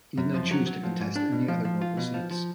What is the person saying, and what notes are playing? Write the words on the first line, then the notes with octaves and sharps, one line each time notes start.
He did not choose to contest any other local seats.
F#2
F3
F#3
F#3
F3
G#2
D4
B2
F3
F3
F4
B2
F3
F3